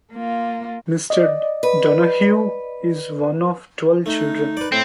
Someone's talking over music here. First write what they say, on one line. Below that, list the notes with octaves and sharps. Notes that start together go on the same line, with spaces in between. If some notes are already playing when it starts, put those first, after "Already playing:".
Mr. Donahue is one of twelve children.
A#3 F4
D5 D#5
B4
A3 D#4
B4 D5
A2 C4